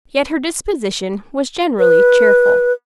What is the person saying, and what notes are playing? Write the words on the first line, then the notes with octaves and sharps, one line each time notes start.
Yet her disposition was generally cheerful.
B4